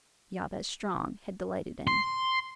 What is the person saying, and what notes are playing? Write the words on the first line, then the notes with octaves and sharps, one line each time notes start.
Jabez Strong, had delighted in.
C6